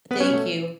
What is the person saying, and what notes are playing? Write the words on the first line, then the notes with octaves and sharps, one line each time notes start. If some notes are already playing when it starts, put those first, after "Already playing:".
Thank you,
B3 B4
C#4 C#5
B2 A3